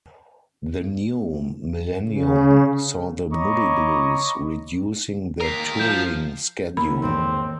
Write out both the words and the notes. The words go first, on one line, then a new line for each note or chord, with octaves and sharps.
The new millennium saw the Moody Blues reducing their touring schedule.
C#3
C#5 D#5 A#5 B5 C#6 D6
D#2 A#4 B6 C7 F7
F3 G6
D#3 A#3 B5
E2 G#2 D3 C4